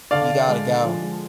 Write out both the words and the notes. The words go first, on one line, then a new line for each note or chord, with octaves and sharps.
You gotta go.
D3 D5 F5
D3
G#3
D3
F3
G#3